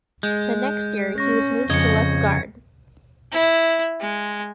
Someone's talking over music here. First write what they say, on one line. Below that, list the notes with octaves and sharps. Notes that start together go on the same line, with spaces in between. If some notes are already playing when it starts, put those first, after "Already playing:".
The next year, he was moved to left guard.
G#3 G6
C#4 C#6 A#6
F2 C#3 D#5 G#6 C#7
E4
G#3